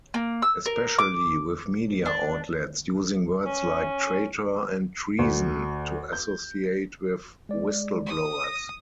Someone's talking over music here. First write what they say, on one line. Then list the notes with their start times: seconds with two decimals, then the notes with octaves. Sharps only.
Especially with media outlets using words like "traitor" and "treason" to associate with whistleblowers.
0.14 A#3
0.42 E6
0.66 A#4
0.98 D6
2.06 D4
3.46 C#4
5.19 D2
6.13 G6
7.49 G#3 D5
8.06 D#6
8.44 A#6